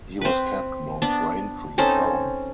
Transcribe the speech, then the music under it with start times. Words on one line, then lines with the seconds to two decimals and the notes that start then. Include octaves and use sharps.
He was captain of Braintree Town.
0.21 C4 B4
1.02 B3 D4
1.78 C4 C#4 D#4 A4